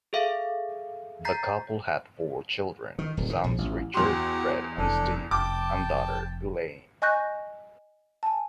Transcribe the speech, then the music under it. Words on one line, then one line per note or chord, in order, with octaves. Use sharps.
The couple had four children: sons Richard, Fred, and Steve, and daughter, Elaine.
G#4 A4 E5 F5
A#5 G6 A6 B6 C7
D#3
D1
D#3
A#1
A1
E2 F#4 G4 F#5 C6
F1 D4 A4
F1 G5 A5 D6
D#5 G#5 C#6 F#6 G6 A#6
G#5 A5